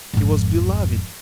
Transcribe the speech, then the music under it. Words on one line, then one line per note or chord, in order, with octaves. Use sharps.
He was beloved.
G#1 F2